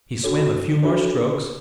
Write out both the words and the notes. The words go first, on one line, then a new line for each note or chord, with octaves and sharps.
He swam a few more strokes.
D4 F#4 A4 C#5
D4 F#4 A4 C#5